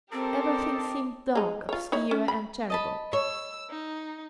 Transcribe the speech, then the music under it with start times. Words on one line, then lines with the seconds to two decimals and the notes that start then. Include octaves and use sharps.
Everything seemed dark, obscure, and terrible.
0.12 C4 G4 A4 A#4 C5 D#5 A5 D6
1.35 G#3 D#4
1.69 F4 C#5
1.92 D#4 E4 C#5
2.11 C#4
2.28 B5
2.70 D#5 A5 B5
3.13 C#5 E6
3.70 D#4